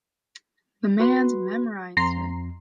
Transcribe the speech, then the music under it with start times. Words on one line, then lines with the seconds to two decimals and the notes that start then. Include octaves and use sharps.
The man's memorized it!
1.00 F#4 B4 C6
1.97 F2 A#5 C6 C7